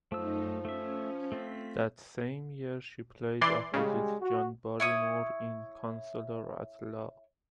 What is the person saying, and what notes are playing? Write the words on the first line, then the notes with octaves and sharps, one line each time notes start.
That same year she played opposite John Barrymore in "Counsellor at Law".
F#2 F3 A3 D#4 E6
A3 C#4 E5
A3 C4 F4 B6
E3 D5 C6
C#3 G3 G#3
F#4
E4 C#5 D#6